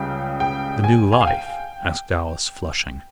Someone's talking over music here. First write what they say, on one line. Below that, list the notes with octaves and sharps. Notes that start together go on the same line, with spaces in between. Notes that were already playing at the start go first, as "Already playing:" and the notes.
"The new life?" asked Alice, flushing.
Already playing: C#2 C#3 G3 G5
G5
G#5
G#5
F5
G5